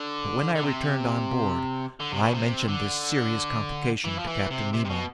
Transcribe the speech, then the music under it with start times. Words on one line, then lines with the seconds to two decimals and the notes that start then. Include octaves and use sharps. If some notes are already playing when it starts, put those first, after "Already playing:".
But when I returned on board, I mentioned this serious complication to Captain Nemo.
Already playing: D3
0.55 D3
0.63 C3
2.00 D3
2.12 C3
2.22 B2
2.34 C3
2.68 D3
4.05 E3
4.19 F3
4.27 E3
4.50 C3
4.73 C3
4.85 C3
4.89 B2